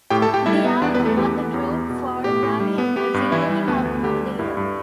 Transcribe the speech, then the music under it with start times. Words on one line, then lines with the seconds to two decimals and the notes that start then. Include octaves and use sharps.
The album won the group four Grammy Awards, including Album of the Year.
0.10 A2 G4 G5
0.22 A4 A5
0.28 A2
0.34 G4 G5
0.46 G3 E4 E5
0.64 B3
0.82 E2 D4 D5
0.94 B3 B4
0.99 E2
1.05 A3 A4
1.17 E3 G4
1.36 B3
1.53 E2 G4
1.71 E2
1.90 B2
2.07 B3
2.24 A2 G4
2.43 A2
2.60 G3
2.78 B3
2.96 B3 G4
3.14 G2
3.31 E3 E4 E5
3.50 G3
3.68 D2 B3 B4
3.85 D2
4.03 D3 G4
4.21 G3
4.39 G2 E4
4.57 G2